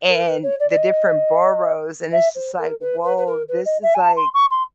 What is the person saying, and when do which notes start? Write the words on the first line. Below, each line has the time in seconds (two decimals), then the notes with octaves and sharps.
and the different boroughs, and it's just like, "Woah, this is like
0.08 A#4
0.25 B4
0.43 C#5
0.59 D5
0.70 D5
0.77 D#5
2.12 E5
2.35 C5
2.58 A#4
2.80 B4
3.03 B4
3.17 B4
3.26 A#4
3.48 B4
3.65 D#5
3.82 E5
3.94 G#5
3.99 A5
4.16 C6
4.34 C#6
4.50 C6